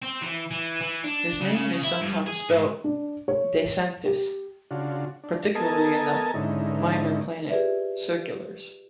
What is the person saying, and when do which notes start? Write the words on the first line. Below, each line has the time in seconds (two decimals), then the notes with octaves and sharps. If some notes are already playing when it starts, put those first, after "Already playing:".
His name is sometimes spelt DeSanctis, particularly in the Minor Planet Circulars.
0.02 C4
0.22 E3
0.51 E3
0.81 E3
1.04 D4
1.41 C#3
1.55 C#3
1.83 E4
2.01 G2
2.27 G#4
2.49 G#2
2.84 D4
3.28 C#5
4.05 G4
4.71 C#3 D4 F4 F#4
5.23 D4
5.55 B3 A4 A#4 D#5 G#5 A5
6.34 G#2 D3 C#4 D#4 E4
7.50 F4 G4 G#4 B4 D5 E5